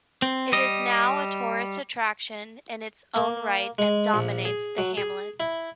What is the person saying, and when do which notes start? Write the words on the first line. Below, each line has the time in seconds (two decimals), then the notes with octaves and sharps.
It is now a tourist attraction in its own right and dominates the hamlet.
0.22 C4
0.52 G3 D#5
3.16 A#3
3.78 G#3
4.14 A#1
4.45 G#4
4.78 F#3
4.97 G#4
5.40 E4